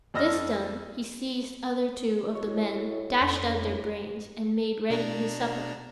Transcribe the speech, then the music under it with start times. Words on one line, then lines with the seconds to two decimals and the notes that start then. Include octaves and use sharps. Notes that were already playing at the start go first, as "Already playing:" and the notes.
This done, he seized other two of the men, dashed out their brains, and made ready his supper.
0.14 F2 D5 D#5 E6 F6 A#6
2.35 A2 E4 F#4 A4 C#5 D#5 C#6
3.21 F2 A2 C#4 D4 A4 D5 A#5 B5
4.90 B2 D4 A#5